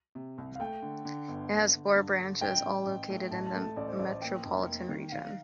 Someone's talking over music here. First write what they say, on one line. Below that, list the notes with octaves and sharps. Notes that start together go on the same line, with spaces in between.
It has four branches, all located in the Metropolitan Region.
C3
C2
F5
A3 G5
D3
D3
G1
D3
D3
G2
D3
A1 G5
A1
A1
A2
A1 A5
A5
A3
A5
A1 D5
C5
A1 D5
D5
A#3 G5
F1
A#3
D#3
D#3 F5